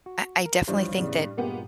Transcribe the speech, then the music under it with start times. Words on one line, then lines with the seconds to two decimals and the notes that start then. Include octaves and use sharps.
I I definitely think that
0.06 F#4
0.46 A#4
0.68 G2 E3 F3 G3 C5 C#5
0.98 E2 A2 C#3
1.37 G2 A#2 G#3 A#3 B3 F4 G4